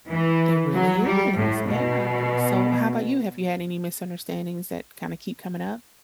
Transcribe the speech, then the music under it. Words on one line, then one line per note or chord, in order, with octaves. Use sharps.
It really is, yeah, so how about you, have you had any misunderstandings that kinda keep coming up?
E3
F#3
G3
A2
B2